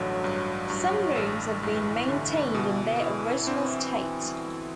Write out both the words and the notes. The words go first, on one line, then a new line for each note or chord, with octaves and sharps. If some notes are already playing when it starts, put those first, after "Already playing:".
Some rooms have been maintained in their original state.
Already playing: A1 G2 D3 F#3
G2
G2
A1
G2 E3
D3
B2
E4
C4
C4